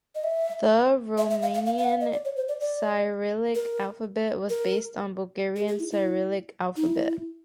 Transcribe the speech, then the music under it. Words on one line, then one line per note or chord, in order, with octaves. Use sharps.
The Romanian Cyrillic alphabet was based on Bulgarian Cyrillic alphabet.
D#5
E5
E5
E5
F5
F5
F5
F5
F#5
F5
D#5
D5
C#5
C5
D5
D5
A#4
A#4
G#4
G#4
E4
E4
D#4
E4